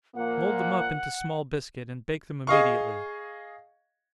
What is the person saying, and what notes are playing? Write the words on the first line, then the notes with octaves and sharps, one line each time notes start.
Mould them up into small biscuit, and bake them immediately.
A#2 F3 A#3 F#5
G#4 D#5 F5 C#6